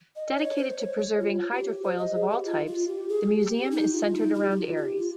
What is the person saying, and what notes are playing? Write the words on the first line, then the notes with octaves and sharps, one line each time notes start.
Dedicated to preserving hydrofoils of all types, the museum is centered around Aries.
D#5
C#5
C5
C#5
C#5
F4
G4
C5
D#5
G#4
G4
F4
F4
G4
G#4
G4
D#4
F4
D#4
G4
G4
F4
G4
F4